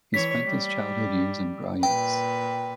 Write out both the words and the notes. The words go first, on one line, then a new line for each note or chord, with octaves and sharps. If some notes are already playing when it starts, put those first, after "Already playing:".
He spent his childhood years in Grojec.
E3 C#5 B6
G3
A#2 B4 G5